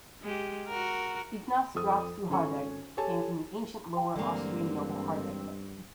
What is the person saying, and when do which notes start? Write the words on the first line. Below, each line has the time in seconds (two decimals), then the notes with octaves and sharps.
Ignaz Graf zu Hardegg came from the ancient Lower Austrian noble Hardegg family.
0.22 G#3 G4
0.67 F#4 A#4
1.75 F2 A4 D#6
2.30 G#1 C#4 A4 G#5 C#6
2.97 G4 A4 C#5 G#5 A5
4.16 G2 D3 E3 G#3 A#3 C4